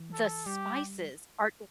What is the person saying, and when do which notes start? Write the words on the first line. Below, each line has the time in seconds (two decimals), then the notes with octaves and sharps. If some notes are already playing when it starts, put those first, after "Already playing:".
the spices are,
Already playing: E3
0.13 A4
0.46 G3 G4